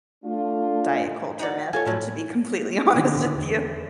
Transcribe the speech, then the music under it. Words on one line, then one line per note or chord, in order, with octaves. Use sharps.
diet-culture myth, to be completely honest with you.
A3 D4 F4
D#4 F#4 D5
F4 A4 C#5 G#5
A2 F3 F#3
D3 D#3
E2